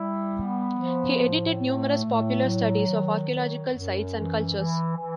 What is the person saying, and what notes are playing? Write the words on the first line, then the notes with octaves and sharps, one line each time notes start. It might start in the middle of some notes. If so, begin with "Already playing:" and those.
He edited numerous popular studies of archaeological sites and cultures.
Already playing: G3 E4
B3
F3
A2
A3
A2
F#3
D#3
F#3
F#2
E3
E3
E3